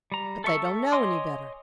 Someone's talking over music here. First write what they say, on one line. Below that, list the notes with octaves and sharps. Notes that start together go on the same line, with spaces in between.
'But they don't know any better.
G3 A#5
A4 E5 C#6 E6
C#5 D#5 G#5 C6 D6